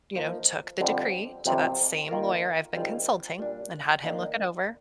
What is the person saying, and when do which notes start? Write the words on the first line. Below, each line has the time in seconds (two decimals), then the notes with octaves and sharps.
you know, took the decree to that same lawyer I've been consulting, and had him look it over,
0.16 F3 A#3 D#4
0.80 F2 D3 G3 C4
1.46 F2 C3 G3 C4
2.09 D#3 A#3 F4 A#4
2.74 D#3 G3 C4 F4 G#4
3.38 A#2 G3 D4
4.04 D#3 A#3 D4